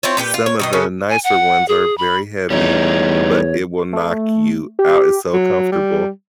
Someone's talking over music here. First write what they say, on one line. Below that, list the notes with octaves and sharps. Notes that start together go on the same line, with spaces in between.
some of the nicer ones are very heavy, but it will knock you out, it's so comfortable,
C4 E4 F4 C#5
A#2 G4 G#4 B4
F4
C#5
B2 D#3 D#5
C#3 C#4 A4
G#5
F#5
G#4
B5
E2 G3 A3 D#4 C#5
A3
G4
F#3
G3